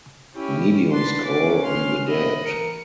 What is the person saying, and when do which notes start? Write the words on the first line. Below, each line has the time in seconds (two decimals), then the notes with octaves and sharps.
Mediums call on the dead.
0.36 C#4 E4 G4 G5
0.92 B3 D4 E4 B4 C6 A6
1.25 C#4 D6
1.65 C6 F6
2.07 B3 D#5 E5 B5
2.46 E3 A#4 C#7